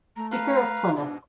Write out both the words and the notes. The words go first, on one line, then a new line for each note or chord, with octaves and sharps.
Dicker of Plymouth.
A3 A#5
B4 F5 A#5
G#2 B2 D4